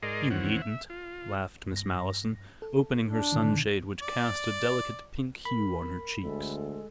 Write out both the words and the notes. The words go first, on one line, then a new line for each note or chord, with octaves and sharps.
"You needn't," laughed Miss Malleson, opening her sunshade which cast a delicate pink hue on her cheeks.
G#2 G#4 A#4 D5 D#5 C6
D#2 E3 C4 C#4 F#5
E5
F4
G2 A#6
A4
D4
B2 D3 D#3
D5
A#4 B5
D2 G#3 A4